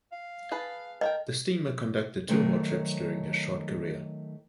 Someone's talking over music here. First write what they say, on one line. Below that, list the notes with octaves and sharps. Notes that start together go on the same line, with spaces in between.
The steamer conducted two more trips during her short career.
F5
G#4 B4 A5
A4 A#4 D#5 G5
D#3 F#3 A3 C5